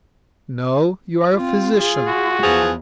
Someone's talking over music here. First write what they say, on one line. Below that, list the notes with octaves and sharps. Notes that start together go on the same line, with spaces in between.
No, you are a physician!
C4 F4
F4 G#4
F#4
E2 E3 F3 G#4